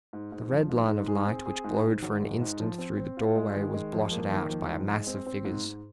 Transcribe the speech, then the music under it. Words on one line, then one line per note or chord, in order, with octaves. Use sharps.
The red line of light which glowed for an instant through the doorway was blotted out by a mass of figures.
G#2
G#2
F3
G#2
G#2
G#4
C4
G#4
G#2
G#2
G#1
G#3
G#2
F3
C4
C4
F4
G#3
D#3
G#3
F2
A#3
D#3
F2
G#2
G#3
C4
C4
G#2
G#2